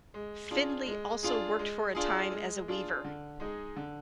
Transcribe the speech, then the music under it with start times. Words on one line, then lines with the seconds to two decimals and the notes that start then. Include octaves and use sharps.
Findley also worked for a time as a weaver.
0.14 G#3
0.51 D4 F4 G#4
0.86 G#3
1.23 D4 F4 G#4
1.59 G#3
1.95 D4 F4 G#4
2.32 G#3
2.68 D4 F4 G#4
3.04 D3
3.40 G#3 D#4 G#4
3.76 D3